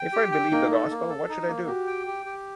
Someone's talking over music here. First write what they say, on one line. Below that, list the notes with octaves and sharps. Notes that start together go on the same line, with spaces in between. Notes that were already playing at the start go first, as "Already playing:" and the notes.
If I believe the gospel, what should I do?
Already playing: G5
G4
G5
A#3 D#4
A4
A#3
A4
D#4
A#3
F#4 G4
G5
G4
G4